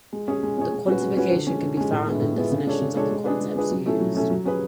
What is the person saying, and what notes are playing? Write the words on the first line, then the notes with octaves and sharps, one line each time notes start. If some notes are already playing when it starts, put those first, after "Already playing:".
The quantification can be found in the definitions of the concepts used.
G#3
C#4 G#4 C#5
G#3
C#4 G#4 C#5
G#3
C#4 F#4 B4
G#3
C#4 F#4 B4
D3
G#3 C#4
D3
G#3 C#4
A2
G#3 B3 E4
A2
G#3 B3 E4
C#3
G#3 D4 A4 C#5
C#3
G#3 D4 A4 C#5
G#3
D4 G#4 B4
G#3
D4 G#4 B4
F#3
A3 C#4 E4 A4
F#3
A3 C#4 E4 A4
F#3
C#4 G#4 B4